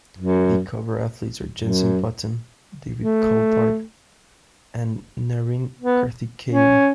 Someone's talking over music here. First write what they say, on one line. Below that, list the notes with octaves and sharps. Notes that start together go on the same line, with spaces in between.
The cover athletes are Jenson Button, David Coulthard and Narain Karthikeyan.
F#2
F#2
A3
B3
C#4